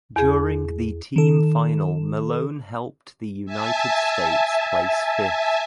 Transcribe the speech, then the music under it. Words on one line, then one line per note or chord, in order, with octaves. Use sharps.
During the team final Malone helped the United States place fifth.
E2 G#4
D#3 A4
E5 G#5 A5